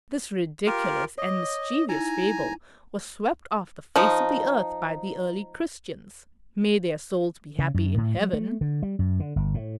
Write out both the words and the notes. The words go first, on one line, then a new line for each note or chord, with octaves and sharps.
This ridiculous and mischievous fable was swept off the face of the earth by the early Christians--may their souls be happy in Heaven!
F4 G4 A#4
C#5 D#5 D6
D#4 E4 G#5 A#5
F3 D#4
C#3
F#2
A2
F#3
A3
D3
G3
F#2
D3
G1
A2